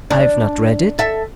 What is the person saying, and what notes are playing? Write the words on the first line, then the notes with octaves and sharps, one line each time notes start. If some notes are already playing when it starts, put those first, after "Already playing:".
"I've not read it."
D4
A4 E5